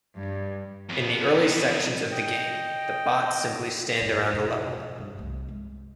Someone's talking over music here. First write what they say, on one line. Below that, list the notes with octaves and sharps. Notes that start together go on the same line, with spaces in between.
In the early sections of the game, the bots simply stand around the level.
G2
F2 B3
D#5 G5
F#2 A2
F2 B2
G2 G3
C2 A3
G#3